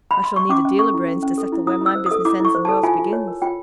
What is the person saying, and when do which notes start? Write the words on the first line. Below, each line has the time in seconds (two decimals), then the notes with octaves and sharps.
'I shall need a deal o' brains to settle where my business ends and yo'rs begins.'
0.11 B5
0.24 C6
0.36 C#6
0.49 C#4 D6
0.65 C#4
0.79 A4 C#6
0.94 E4
1.08 C#4
1.23 C#4
1.38 A4
1.52 E4
1.67 E4 D#6
1.81 E4 E6
1.96 C5
2.06 D#6
2.11 A4
2.25 E4 D6
2.40 E4 C#6
2.55 C5
2.65 A4 A5
2.83 F4 G#5
2.99 F4
3.13 C#5
3.27 A#4
3.42 F4 G5